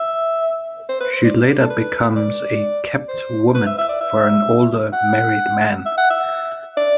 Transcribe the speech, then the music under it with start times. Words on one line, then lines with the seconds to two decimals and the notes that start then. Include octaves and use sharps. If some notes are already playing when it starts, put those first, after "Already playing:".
She later becomes a "kept woman" for an older, married man.
Already playing: E5
0.89 C5
1.00 B4
1.13 C5
1.24 D5
1.61 A4
1.70 B4
2.16 D5
3.08 C5
3.55 B4
3.66 E5
3.78 E5
3.89 D5
4.01 E5
4.93 F#5
5.86 E5
5.97 F#5
6.10 E5
6.77 D5